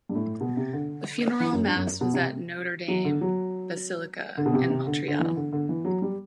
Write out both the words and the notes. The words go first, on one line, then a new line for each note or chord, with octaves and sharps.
The funeral Mass was at Notre Dame Basilica in Montreal.
G2
A2
B2
C3
D3
E3
F#2
G2
F#2
B2
C3
F#3
D3
F#3
D3
B2
C3
C3
D3
D3
E3
D3
D3
E3
F#3
G3